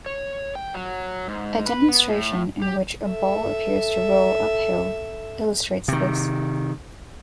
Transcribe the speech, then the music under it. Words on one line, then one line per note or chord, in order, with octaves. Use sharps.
A demonstration in which a ball appears to roll uphill illustrates this.
C#5
G5
F#3
G#2
B4
B3
A2
G4
A4 E5
C3 D#3